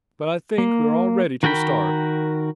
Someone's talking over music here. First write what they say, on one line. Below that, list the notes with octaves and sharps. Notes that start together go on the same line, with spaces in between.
But I think we're all ready to start.
A#3
D#3 F#4 A#4 G5 B5